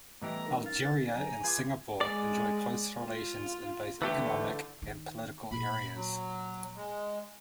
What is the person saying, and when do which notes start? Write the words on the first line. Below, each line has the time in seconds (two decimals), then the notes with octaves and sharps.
Algeria and Singapore enjoy close relations in both economic and political areas.
0.22 A2 E3 G3 B3 G4 D#5 A#5
0.46 C#4 D#4 A#4
0.66 F5 A6
1.15 F#3 G#5 A#5 G6
1.44 F4 G#4 B4 D6 G6 G#6
2.01 G#3 D5
2.99 F4
4.02 D3 E3 A3 G4
4.82 D#3
5.51 A#2 B5
5.95 F#3
6.76 G#3